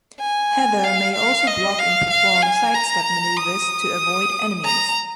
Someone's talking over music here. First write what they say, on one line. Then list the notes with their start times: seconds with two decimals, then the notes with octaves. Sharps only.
Heather may also block and perform side-step maneuvers to avoid enemies.
0.20 G#5
0.84 F5
1.15 F5
1.47 D#5
1.79 F5
2.10 F5
2.42 G#5
2.74 A#5
3.38 D#6
4.64 A#5